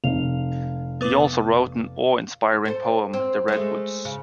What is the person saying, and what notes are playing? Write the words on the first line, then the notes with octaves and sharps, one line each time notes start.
He also wrote an awe-inspiring poem "The Redwoods".
F1 F5 F7
B3 B4 D6
A4 C5
C4
G#3 A3
C#3